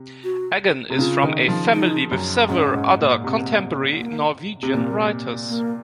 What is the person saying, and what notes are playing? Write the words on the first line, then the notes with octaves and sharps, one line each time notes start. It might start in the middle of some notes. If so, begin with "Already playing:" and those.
Eggen is from a family with several other contemporary Norwegian writers.
Already playing: C3
F#4
C3
C#3 F4
D#3
F3
D#4
F#2
G#2 C#4
G#2
A#2
C3
A#3
C3
A#2 A#3
A#3